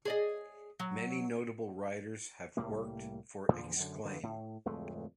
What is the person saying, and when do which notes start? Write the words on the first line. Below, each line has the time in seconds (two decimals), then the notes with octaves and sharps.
Many notable writers have worked for Exclaim!
0.05 G#4 D5 D#5
0.80 F#3
2.57 C2 A2 G3 A#3
3.49 E2 A#2 D3 F3
3.76 F#2 D3
4.05 G2 D3
4.23 A2
4.65 D1 F2 G#3 A3